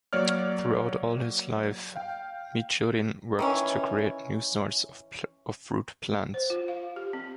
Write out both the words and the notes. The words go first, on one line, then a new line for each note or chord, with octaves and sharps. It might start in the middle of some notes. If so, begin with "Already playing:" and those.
Throughout all his life, Michurin worked to create new sorts of fruit plants.
F#3 A#3 C#5 D5 F6
F5 G5
D#3 E3 C#4
C5
F4
F5
G4
C4